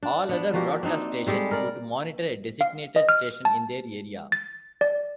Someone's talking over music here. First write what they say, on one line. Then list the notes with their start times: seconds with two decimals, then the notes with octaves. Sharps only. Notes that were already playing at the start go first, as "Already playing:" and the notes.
All other broadcast stations would monitor a designated station in their area.
0.03 D4
0.29 B3 D4
0.53 F3 A#3 F#4 G4
0.83 C4 D4 D#4
1.27 G3 G#3 G4 A4
1.51 A#4 D5
2.61 F5
2.96 D#5
3.09 F6
3.45 A5
4.32 A6
4.81 D5